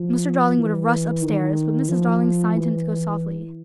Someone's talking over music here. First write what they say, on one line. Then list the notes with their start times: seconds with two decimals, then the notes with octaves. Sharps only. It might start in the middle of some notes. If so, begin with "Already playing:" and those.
Mr. Darling would have rushed upstairs, but Mrs. Darling signed him to go softly.
Already playing: F3
0.58 E3
1.23 D#3
1.89 F3
2.54 E3